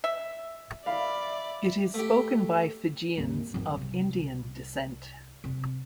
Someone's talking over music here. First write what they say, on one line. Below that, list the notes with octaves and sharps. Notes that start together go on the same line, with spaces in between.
It is spoken by Fijians of Indian descent.
E5
D5 E5 F5 B5
A3 G4
G#1 D#2
G#1 F2
C2
C3